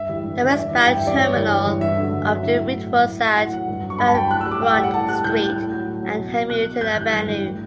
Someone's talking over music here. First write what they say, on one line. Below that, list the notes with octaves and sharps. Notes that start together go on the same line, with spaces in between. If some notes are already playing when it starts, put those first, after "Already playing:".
The westbound terminal of the route was at Van Brunt Street and Hamilton Avenue.
Already playing: G2 E5
E3 G3
G2
E3 G3
D5
G2 E5
E3 G3
G2 G5
E5
E3 G3 D5
G2 C#5
E3 G3
G2
E3 G3
G2 E5
D3 F#3
G2
D3 F#3
A2 E5
F#3
A2
F#3
A2
F#3
A2 F#5
F#3 F#5
G2
F#3
C#6
G2 B5
A5
F#3 G5
A2 F#6
E6
G3
D6
A2 G5
F#5
G3
F#5
A2 A5
G3 F#6
A2 G6
G3
A2
F#3
A2
F#3
B2
F#3
B2 F#6
F#3
G2 G6
E3 G3 F#6
G2
E3 G3
A2